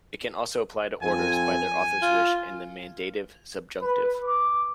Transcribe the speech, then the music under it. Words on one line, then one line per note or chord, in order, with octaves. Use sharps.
It can also apply to orders by their author's wish in the "mandative subjunctive".
F2 G#5
F4
B4
D6